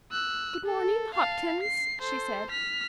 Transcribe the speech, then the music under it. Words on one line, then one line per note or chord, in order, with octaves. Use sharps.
"Good morning, Hopkins," she said.
E6 F#6
A4
F5 A5
C7
A4 C5
F6 B6